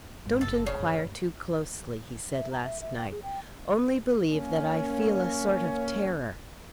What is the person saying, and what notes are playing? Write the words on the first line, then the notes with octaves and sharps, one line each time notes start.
Don't enquire too closely,' he said last night; 'only believe that I feel a sort of terror.
G#1 G#3
F#1 A4
C#3
G2 A3
E5
A#5
E5
E5
G5
G#4
G5
A#3 C#4